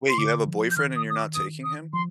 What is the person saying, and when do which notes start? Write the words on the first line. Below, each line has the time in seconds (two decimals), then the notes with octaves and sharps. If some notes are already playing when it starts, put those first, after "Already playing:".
Wait, you have a boyfriend and you're not taking him?
0.09 C6
0.18 D3 D6
0.47 F3
0.71 G6
0.77 D#3 F6
0.96 D#6
1.10 D#6
1.16 D6
1.35 D#6
1.64 D#6
1.93 F3 C6